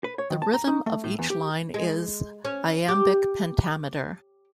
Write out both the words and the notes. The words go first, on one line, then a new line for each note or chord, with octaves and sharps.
The rhythm of each line is iambic pentameter.
B4
C#5
D#3
A5
A#5
D#4
A3
A2
E2
G4
G#3
C#4
G4